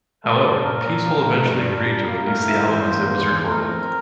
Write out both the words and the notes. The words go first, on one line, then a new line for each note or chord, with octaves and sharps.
However, Peaceville eventually agreed to release the album as it was recorded.
A3 A4
D4
A#2 A#4
A#2
F3
A3
G2 A#4
D4
G3
A#3
A2 A#4
E4
E3 C5
A#3
E2
E2
A3 A#4
C4